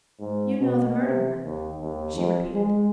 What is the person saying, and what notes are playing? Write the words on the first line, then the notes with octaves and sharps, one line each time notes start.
"You know the murderer," she repeated.
G#2
B2
C3
D#2
D#2
F2
G#3